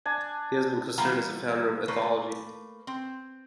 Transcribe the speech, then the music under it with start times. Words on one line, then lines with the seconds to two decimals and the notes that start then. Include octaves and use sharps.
He has been considered as a founder of ethology.
0.05 D4 G#5
0.98 E3 G3 B3 F4 A#5
1.88 A3 A#3 B4
2.87 C4